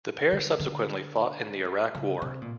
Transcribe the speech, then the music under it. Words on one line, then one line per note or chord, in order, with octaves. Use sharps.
The pair subsequently fought in the Iraq War.
D3
D3
C#3
C3
A#2